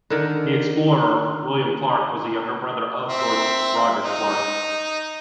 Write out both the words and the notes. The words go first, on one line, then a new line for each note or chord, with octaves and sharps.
The explorer William Clark was a younger brother of George Rogers Clark.
D3 D#3
C4 E5
D#4